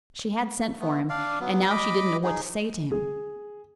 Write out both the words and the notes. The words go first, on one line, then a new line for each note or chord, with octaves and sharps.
She had sent for him, and now she didn't know what to say to him.
A3 B3
D4 D5 F5
F#3 B3
D#5 B5 D6
D#4 G#4
G#4